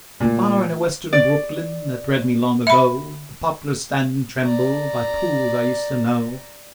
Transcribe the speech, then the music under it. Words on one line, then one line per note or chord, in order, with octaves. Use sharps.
Far in a western brookland That bred me long ago The poplars stand and tremble By pools I used to know.
A#2 A3 F4
D5
E5 B5
D5 A#5